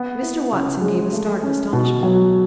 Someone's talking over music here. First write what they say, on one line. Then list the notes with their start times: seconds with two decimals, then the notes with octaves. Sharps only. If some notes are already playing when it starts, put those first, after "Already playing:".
Mr. Watson gave a start of astonishment.
Already playing: B3
0.22 E4
0.52 C#3
0.82 G#3
1.13 A3
1.43 C#4
1.73 B2
2.03 F#3